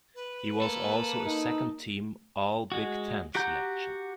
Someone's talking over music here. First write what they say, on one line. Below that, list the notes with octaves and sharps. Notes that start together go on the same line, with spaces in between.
He was also a second team All-Big Ten selection.
B4
A#3 A4
D#4
G#3 F#4
F#4 G4 F#5 A#5 G6